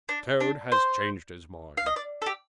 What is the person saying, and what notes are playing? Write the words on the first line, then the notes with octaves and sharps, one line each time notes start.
Toad has changed his mind.
D4
D4
C5
F5
D#5
D5
A4
G4